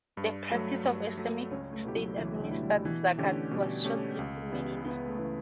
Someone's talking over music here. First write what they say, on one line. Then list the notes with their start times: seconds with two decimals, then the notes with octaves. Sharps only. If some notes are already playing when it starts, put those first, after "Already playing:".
The practice of Islamic state-administered "zakat" was short-lived in Medina.
0.17 G2 D4
0.51 F#3 A3
0.84 G2
1.18 F#3 A3
1.51 C#2 C#4
1.73 A3
1.84 B2 A3 E4 G4
1.96 F#3
2.18 C#2 E3
2.40 D3
2.51 B2 A3 E4 G4
2.63 G3
2.85 B2 E3
3.18 D3 A3 C#4 G4
3.51 B2 G3
3.84 A3 C#4 G4
4.19 C#2
4.52 C#3 E3 B3 E4
4.85 C#2 B3
5.08 A3
5.18 C#3 E3 B3 E4